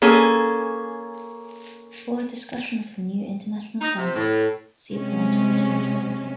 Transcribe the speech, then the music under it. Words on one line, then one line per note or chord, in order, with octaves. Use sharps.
For a discussion of the new international standards, see parental responsibility.
A#3 C#4 G#4 A4
D#4
C3
A2
C3 G#3 C#4